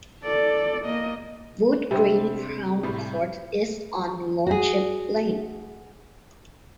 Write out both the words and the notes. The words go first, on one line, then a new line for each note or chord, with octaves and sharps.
Wood Green Crown Court is on Lordship Lane.
A4 D5
A#3 D#5
C3 G3 D4 C5
A2 C3 G3
F#4 G#4